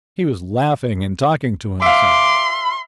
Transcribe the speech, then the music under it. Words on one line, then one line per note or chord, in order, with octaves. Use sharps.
He was laughing and talking to himself.
E5 F5 C6 D6